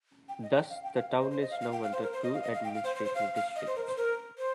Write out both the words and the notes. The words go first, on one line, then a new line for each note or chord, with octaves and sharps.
Thus, the town is now under two administrative districts.
G5
D#5
G5
F5
G5
F5
D#5
C5
C5
D#5
F5
F5
G5
F5
C5
A#4
C5
D#5
F5
D#5
F5
G5
F5
C5
C5
C5
F5
F5
D#5
C5
A#4
C5
A#4
C5